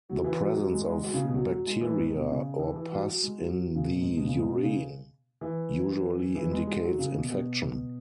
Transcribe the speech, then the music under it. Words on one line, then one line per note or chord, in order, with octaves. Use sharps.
The presence of bacteria or pus in the urine usually indicates infection.
F#3
E3
F#3
F#3
G#3
G#3
F#3
C#3
B2
F#3
F#3
G#3
E3
G#2
B2
C#3
E3
E3
F#3
F#3
G#3
F#3
C#3
B2
G#2
B2
C#3
G#2
B2
C#3
E3
E3
G#3
G#3
F#3
C#3
B2
B2